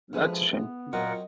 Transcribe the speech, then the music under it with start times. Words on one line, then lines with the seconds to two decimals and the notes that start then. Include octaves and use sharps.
That's a shame too.
0.13 D2 F3 G#3 E4 G#4 B4
0.53 B3
0.93 F#2 A#2 F#3 C4 A#4 D#5 F#5